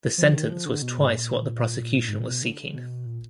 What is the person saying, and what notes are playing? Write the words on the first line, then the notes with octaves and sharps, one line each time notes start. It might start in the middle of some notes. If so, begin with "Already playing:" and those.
The sentence was twice what the prosecution was seeking.
F3
D#3
F3
D3
B2
G#2
A#2
G#2
A#2
B2
D3
B2
A#2